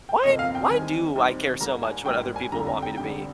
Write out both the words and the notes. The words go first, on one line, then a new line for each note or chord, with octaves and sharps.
"Why why do I care so much what other people want me to be?"
G5
G1 F2 C3 F3 A#3 D#5
F5
G5
D#2 D#3 G3 C4 G#5
D#2 D#3 G3 C4
G#1 G#2 G3 A#3 A#5
G#5
G#1 G#2 G3 A#3 G5
G#5
F1 F2 D3 G3 A#5
A#5
G5
F1 F2 D3 G3 G5